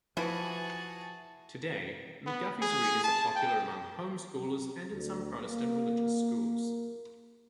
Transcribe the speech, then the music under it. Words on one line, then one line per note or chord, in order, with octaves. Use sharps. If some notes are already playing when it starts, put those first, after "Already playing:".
Today, McGuffey's Readers are popular among homeschoolers and in some Protestant religious schools.
E3 F3 F#4 G#4 G#5 A5
B3
G#4
A5
G5
D2
A#3